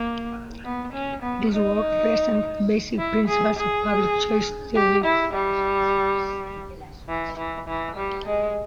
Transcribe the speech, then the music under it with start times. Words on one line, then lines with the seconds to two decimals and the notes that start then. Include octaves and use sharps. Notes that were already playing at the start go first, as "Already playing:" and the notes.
This work presents the basic principles of public choice theory.
Already playing: A#3
0.64 B3
0.93 C#4
1.22 B3
1.52 D#4
2.98 E4
3.27 G#4
3.57 G#4
4.75 G4
5.04 E4
5.33 G3
7.09 E3
7.37 E3
7.68 E3
7.96 G3
8.26 G#3